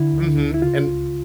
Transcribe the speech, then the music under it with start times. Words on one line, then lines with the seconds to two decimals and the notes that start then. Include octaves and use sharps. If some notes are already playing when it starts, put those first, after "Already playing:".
Mhm, and
Already playing: D3 E4
0.13 D2
0.37 D2
0.54 E4
0.62 C#3 F4
0.87 C#2